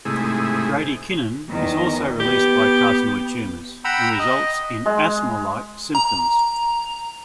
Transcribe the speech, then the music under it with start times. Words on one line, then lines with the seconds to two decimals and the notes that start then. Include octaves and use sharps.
Bradykinin is also released by carcinoid tumors, and results in asthma-like symptoms.
0.05 G#2 C3 A3 E4 G#4
1.49 E2 D#3
2.20 B3 G4
3.85 F#5 G5 A#5 B5 E6
4.19 D#5
4.86 G#3
5.95 A#5